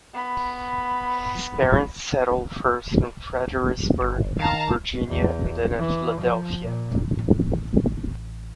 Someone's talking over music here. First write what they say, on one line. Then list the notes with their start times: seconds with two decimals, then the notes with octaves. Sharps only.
His parents settled first in Fredericksburg, Virginia, and then at Philadelphia.
0.13 B3 B5
4.01 G1
4.39 D#3 F5 A5 A#5
5.08 E2
5.79 E3
6.21 F3
6.63 A#2
7.19 A1